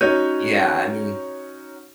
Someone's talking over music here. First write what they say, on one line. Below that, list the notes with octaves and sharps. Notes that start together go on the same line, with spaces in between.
Yeah, I mean
C#4 D#4 F#4 C#5 G6 D#7